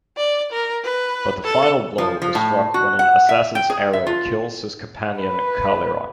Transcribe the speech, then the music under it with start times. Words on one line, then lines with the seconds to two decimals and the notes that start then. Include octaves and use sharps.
But the final blow is struck when an assassin's arrow kills his Companion Kalira.
0.17 D5
0.52 A#4
0.84 B4
1.45 A4
1.98 F3
2.22 F3
2.35 A2
2.74 F#4
2.99 F#5
3.29 E5
3.55 G5
3.70 G#4
3.93 E5
4.07 F4
5.19 B4